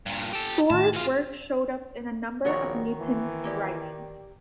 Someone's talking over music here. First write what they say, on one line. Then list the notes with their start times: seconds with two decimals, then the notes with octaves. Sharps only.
Storer's work shows up in a number of Newton's writings.
0.06 G2 A#2
0.33 G4 A4
0.70 A2 D#3 A5
0.93 E3 F4
2.45 A#1 D#3 F#4 A#4 C#5
2.99 E3
3.43 A#3 G4 D5